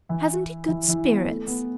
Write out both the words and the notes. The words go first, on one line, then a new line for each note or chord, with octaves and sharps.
"Hasn't he good spirits?"
E3 E4
E3 E4
E3 E4
B3
A3
B3